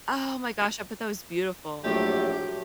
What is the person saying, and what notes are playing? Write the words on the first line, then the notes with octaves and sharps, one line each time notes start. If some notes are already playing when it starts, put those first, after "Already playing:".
Oh my gosh, I bet that was beautiful.
A#1 A2 F#3 A3 G4